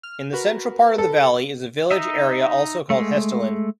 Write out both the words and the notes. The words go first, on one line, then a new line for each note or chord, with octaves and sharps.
In the central part of the valley is a village area also called Hessdalen.
F6
F#4 A#4 B4
A4
D#4 D#5 E5
G#3 A3